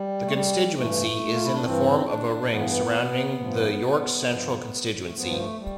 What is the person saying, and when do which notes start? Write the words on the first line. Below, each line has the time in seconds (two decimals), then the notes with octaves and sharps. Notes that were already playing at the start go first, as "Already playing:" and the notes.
The constituency is in the form of a ring surrounding the York Central constituency.
Already playing: G3
0.26 A3
0.32 G3
0.76 G2 E3 A3
1.34 F4
1.44 E4
1.54 D4
1.64 G2 E3 C4
2.08 D4
2.52 G2 E3 B3
3.40 G2 F3
4.27 G2 F3
5.05 A3
5.15 G2 F3 B3
5.37 A3
5.59 G3